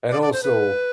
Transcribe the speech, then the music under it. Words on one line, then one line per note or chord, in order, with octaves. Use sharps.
and, also,
D5
D5
C5
B4